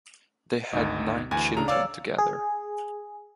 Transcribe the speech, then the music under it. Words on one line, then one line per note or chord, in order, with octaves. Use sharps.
They had nine children together.
G#1 D2 D#4
D2 E3 G#5
C#3 D4 A#5
C#5 D5 F5 E6
G#4